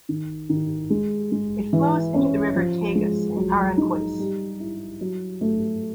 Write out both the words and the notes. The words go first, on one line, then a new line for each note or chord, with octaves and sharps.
It flows into the river Tagus in Aranjuez.
D#3
D#3
G#3
G#3
E3
C#4
F3
G#3
F#3
D#4
G3
E4
F#3
A3